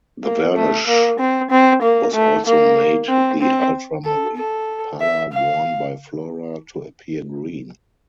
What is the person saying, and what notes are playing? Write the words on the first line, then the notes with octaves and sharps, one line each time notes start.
The varnish also made the ultramarine palla worn by Flora to appear green.
A#3
A3
A#3
C4
C4
A#3
A3
A#3
C4
C4
A4
A4
E5
F5